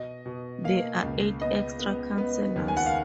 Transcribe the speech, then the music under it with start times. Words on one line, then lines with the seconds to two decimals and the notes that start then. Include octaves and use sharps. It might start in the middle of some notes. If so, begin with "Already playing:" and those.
There are eight extra councillors.
Already playing: B2 D#5
0.26 B2
0.64 A#3 F5
1.03 C#2
1.41 B3 D#5
1.79 B3
2.18 B3
2.56 D#2
2.68 G#5
2.77 F#5
2.86 F5